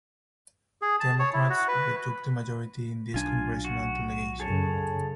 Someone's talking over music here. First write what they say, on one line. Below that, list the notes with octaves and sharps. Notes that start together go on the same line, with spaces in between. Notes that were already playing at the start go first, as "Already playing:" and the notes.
Democrats retook the majority in this congressional delegation.
G#4
A5
C#5
E4
F#4
B4
B1 D4 F4 G#5
F#4
F#2 C#3 G#4 A4 C#5